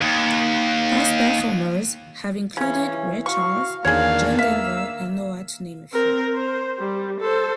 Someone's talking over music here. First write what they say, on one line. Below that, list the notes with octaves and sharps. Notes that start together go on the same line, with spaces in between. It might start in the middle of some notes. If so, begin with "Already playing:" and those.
Past performers have included Ray Charles, John Denver, and Noa to name a few.
D#2
C#3 E3 C#4
F#4 F5 C#6
E2 D#3 A#3 D4 G#4 C#5 F5
E5 F5 E6
C4 A#4
C5
G3
A4 C5